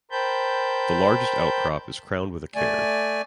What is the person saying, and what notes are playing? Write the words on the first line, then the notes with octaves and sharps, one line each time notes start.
The largest outcrop is crowned with a cairn.
A#4 C5 G5 A5 B5 G6
A3 D5 G#5